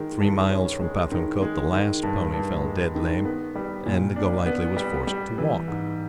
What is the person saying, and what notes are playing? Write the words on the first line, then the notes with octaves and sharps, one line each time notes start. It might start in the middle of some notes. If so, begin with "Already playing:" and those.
Three miles from Pathankote the last pony fell dead lame, and Golightly was forced to walk.
Already playing: D#3 G#3
G2
C#4
G#3
D#3
G#3
D#3
G2
G2
G#3
D#3
B3
G3
A#2
D4
B3
G3
G3
E3
G#2